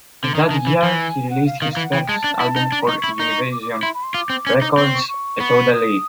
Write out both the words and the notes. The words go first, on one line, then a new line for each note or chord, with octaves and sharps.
In that year, he released his first album for Univision Records, A Toda Ley.
D3
D#3 A#5
A5
D#3
G#5
E3
E3
F#5
F5
D#3 F5
E3 F5
F#5
E3 G5
G#3 A5
D4
E4
D#4
D4
D#4 C#6
E4
D#4
D6
D6
D6
E4 C6
B5
C6
F4 D6
C4
C#4
D#4
C4 C#6
C#6
C#6
B3
D#6